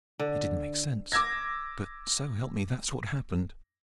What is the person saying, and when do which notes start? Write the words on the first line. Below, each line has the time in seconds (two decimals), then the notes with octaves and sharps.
It didn't make sense, but so help me, that's what happened.
0.19 D3
1.12 D6 E6 G#6 A#6